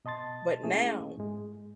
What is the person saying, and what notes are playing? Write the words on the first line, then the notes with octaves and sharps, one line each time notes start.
But now,
B2 D#5 A5 C6 A6
A3 A#3 C#4 E4 G#4
G#2 G#3